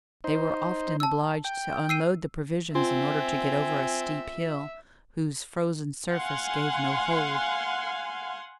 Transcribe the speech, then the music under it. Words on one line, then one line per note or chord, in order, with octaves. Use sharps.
They were often obliged to unload the provisions in order to get over a steep hill, whose frozen surface gave no hold.
D#4 C5
A5 E6
G5
E6 C7 D#7
C4 F4 E5 G#5
F5 F#5 G#5 C6